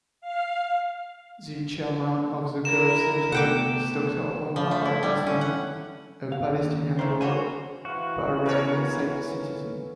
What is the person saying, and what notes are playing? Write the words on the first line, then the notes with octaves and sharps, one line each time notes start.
The Chairman of the Gulf Center is Doctor Omar Al-Hassan, a Palestinian-born Bahraini citizen.
F5
E4 A#4 E7
C3 A3 B3 F#5 G5 D6
F3
A3
E4
G3
C#4
F#5
F5
D#2
D#3 A3 C5
F#4 A#4 C5 C#5 G#5
E3 F#4 F5 C6
B3 C#4 A4 A#4 C#5